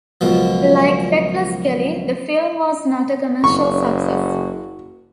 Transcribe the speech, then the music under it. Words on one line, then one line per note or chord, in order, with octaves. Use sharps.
Like "Reckless Kelly", the film was not a commercial success.
C#2 F#2 B2 F3
F#1 F#4 C#6